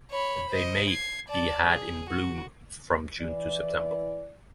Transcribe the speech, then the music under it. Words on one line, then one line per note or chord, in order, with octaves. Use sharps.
They may be had in bloom from June to September.
C#5 B5
C5 D#5
G#6 C7
D5 A5
G#4
F#4
E3 D5